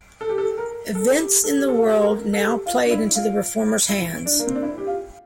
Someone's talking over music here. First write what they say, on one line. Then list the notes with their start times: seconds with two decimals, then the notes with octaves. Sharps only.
Events in the world now played into the reformers' hands.
0.21 A4
0.29 G4
0.38 A4
0.57 A#4
0.95 A4
1.19 G4
1.44 A4
1.57 G4
1.69 A4
1.78 F4
1.87 G4
1.96 A4
2.05 A#4
2.33 A4
2.42 G4
2.66 F4
2.85 D4
2.91 E4
3.15 F4
3.89 E4
4.26 D4
4.39 A#3
4.47 C4
4.55 D4
4.62 E4
4.78 G4
4.87 F4